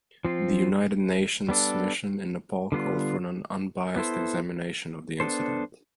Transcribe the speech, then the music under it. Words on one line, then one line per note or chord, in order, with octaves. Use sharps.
The United Nations Mission in Nepal called for an unbiased examination of the incident.
F3 C4 F4
G3 B3 D4 A4
D3 G3 B3 F4
B3 E4 A4 C5
B3 D4 A4 C5